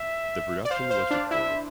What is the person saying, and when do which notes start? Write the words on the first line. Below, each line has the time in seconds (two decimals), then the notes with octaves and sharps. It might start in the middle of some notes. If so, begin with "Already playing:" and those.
The production was recorded.
Already playing: E5
0.65 D5
0.71 C5 F5
0.90 C5
1.11 D4
1.31 E4 E5